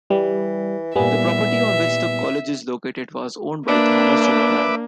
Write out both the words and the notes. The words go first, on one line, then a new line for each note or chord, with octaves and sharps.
The property on which the College is located was owned by Thomas Donovan.
E3 G3
A#2 E3 G3 B3 E5 G#5
A#3 D4 B4 E5 D6